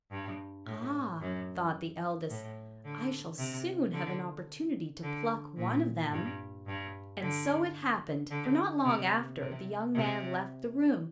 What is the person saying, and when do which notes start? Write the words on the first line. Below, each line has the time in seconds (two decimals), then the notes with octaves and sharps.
"Ah," thought the eldest, "I shall soon have an opportunity to pluck one of them;" and so it happened, for not long after the young man left the room.
0.11 G2
0.66 A2
1.20 F#2
2.30 A2
2.85 D3
3.39 C3
3.93 D3
5.03 D3
5.57 A#2
6.12 G2
6.67 G2
7.20 D3
8.30 D3
8.84 C3
9.39 C3
9.94 C3